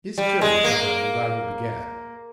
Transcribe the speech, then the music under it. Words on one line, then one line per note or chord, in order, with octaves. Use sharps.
It is curious how that revival began.
G3
G#3
A#3